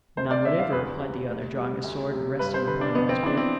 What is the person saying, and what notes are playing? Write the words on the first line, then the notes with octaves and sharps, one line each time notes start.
"None, whatever," replied the other, drawing his sword and resting the point on his boot.
D2 C5
D5
D3 E5
F5
E2 B4
C3
A2
G3
D2
C3
G2 B4
C5
D3 B4
D4
F2 B3
C4
E3 D4
C4